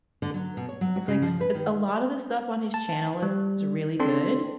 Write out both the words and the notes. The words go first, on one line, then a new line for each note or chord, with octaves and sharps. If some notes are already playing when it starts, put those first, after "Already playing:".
it's like s a a lot of the stuff on his channel is really good,
D3
F#3
B2
C#5
F#3
F#4
C#3
F3
B4
D#3
A5
G3
C4 D4 A4 C6